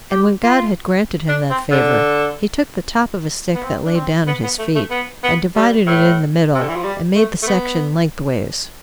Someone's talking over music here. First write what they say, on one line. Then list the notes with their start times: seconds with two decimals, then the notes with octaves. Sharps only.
And when God had granted him that favor, he took the top of a stick that lay down at his feet, and divided it in the middle, and made the section lengthways.
0.11 G4
0.43 F4
1.29 D4
1.50 C4
1.71 D3
3.55 B3
3.64 C4
3.85 D4
3.95 C4
4.27 B3
4.43 B3
4.59 A3
4.75 A3
4.91 B3
5.24 B3
5.56 G3
5.87 A2
6.54 C3
6.62 D3
6.69 E3
6.76 F3
6.84 G3
7.16 A3
7.43 A3
7.47 B3